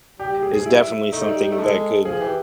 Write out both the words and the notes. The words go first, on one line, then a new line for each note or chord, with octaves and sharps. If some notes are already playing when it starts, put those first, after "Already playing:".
is definitely something that could,
G3 G4
G4
G#4
G#4
E4
A3 D#4
G3
G3
A3
G#3 A4
F3 G#4
E3 G4